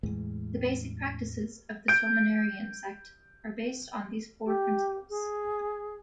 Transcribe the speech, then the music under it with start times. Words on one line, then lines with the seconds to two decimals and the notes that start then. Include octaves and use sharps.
The basic practices of the Swaminarayan sect are based on these four principles.
0.03 E2 A2 E3 G#3
1.88 G6 D7
4.45 G4
5.10 G#4